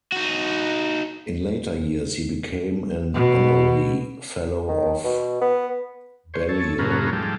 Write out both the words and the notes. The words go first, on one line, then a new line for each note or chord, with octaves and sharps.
In later years he became an Honorary Fellow of Balliol.
D#4 F#4
B2
D#3
B2
B3
C5 C#5
A4 C#5
F#2 A2 A#3 B3 C#4 F4
G#2 F3 G3 A3